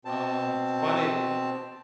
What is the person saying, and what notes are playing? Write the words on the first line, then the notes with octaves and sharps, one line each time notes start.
um, funded
B2 C4 A5